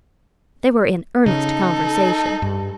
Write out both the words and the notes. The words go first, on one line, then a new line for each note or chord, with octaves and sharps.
They were in earnest conversation.
C#3 D#4 A4
G2